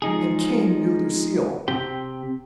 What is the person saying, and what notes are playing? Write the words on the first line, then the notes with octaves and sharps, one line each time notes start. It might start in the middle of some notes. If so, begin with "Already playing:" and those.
And Cain knew Lucille.
F3 G#3 D#4 G#4
C3 C4 G4 G5